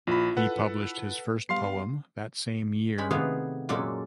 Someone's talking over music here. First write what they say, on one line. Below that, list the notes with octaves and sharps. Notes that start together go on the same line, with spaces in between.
He published his first poem that same year.
A#1 E4 F4 B5
A4 B4 F#5
G3 B3 F5 C6 C7
G#3 C#4 B5
C3 D#3 A3 B3 G#4 F5
F#2 A#2 G#3 C#4 A4 D5